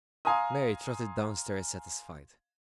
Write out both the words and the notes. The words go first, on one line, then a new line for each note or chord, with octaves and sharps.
Mary trotted down stairs satisfied.
F5 G#5 A#5 C6 D#6